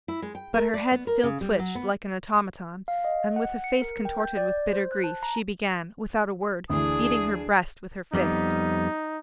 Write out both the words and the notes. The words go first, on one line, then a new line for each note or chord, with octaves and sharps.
But her head still twitched like an automaton and with a face contorted with bitter grief she began, without a word, beating her breast with her fist.
E4
G#3
G5
A#4
D5
B3
A#4
C#3
G3
F#3
B3
F5
D#5
F#5
C#7
A#4
G5
G6
D5
C5
F#6
A5
A#5
D2 E3 D4 G#4 D#6
F2 G3 B3 D#4